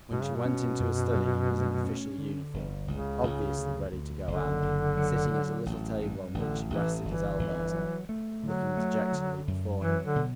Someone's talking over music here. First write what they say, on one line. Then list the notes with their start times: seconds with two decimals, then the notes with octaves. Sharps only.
When she went into his study he was in official uniform, obviously ready to go out, sitting at a little table on which he rested his elbows, looking dejectedly before him.
0.11 G2 B2
0.23 C#3
0.36 B2
0.46 C#4
0.80 F#2
1.16 F#2
1.49 A3
1.84 C#4
2.18 D3
2.54 G1
2.88 C#2 C#3
3.23 C#2
3.58 D2
3.92 D2
4.26 F#1 D3
4.62 F#1
4.97 F#3
5.31 F#3
5.66 A1
6.01 G2
6.34 A1 D3
6.69 A1 E3
7.04 G1 E3
7.39 G1
7.74 F#3
8.09 A3
8.43 D3 F#3
8.77 A3
9.12 D3
9.48 F#2
9.81 E3 F#3
10.05 D3
10.16 B2